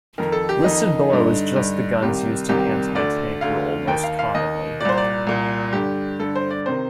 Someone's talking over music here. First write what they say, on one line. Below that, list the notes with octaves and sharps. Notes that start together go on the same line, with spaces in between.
Listed below is just the guns used in anti-tank role most commonly.
F2 D#3 A#4
A4
G4
F2 D#3 D#4
G2 D3
G2 D3
C2 C3 D#3 G4
C2 C3 D#3 G4
D2 D3 D5
D2 D3 F5
D#2 D#3 G5
F5
F5
D#2 D#3 D#5
C2 A#2 C5 D5
D5
C2 A#2
G2 D3 G4
G2 D3 A4
C5
D5
C3 D#3 C5